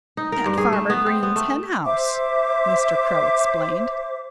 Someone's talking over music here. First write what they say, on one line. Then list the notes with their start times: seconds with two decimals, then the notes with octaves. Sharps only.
"At Farmer Green's hen-house," Mr. Crow explained.
0.17 D#4
0.32 A#4
0.46 G2
0.58 G#4
0.73 A3
0.90 B3
1.06 C4
1.23 B3
1.36 A3
1.85 C5 E5 D6